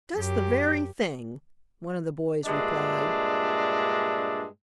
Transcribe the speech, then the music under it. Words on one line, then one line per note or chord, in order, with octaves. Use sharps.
"Just the very thing!" one of the boys replied.
F#2 G4
G2 A#2 G#3 D4 E5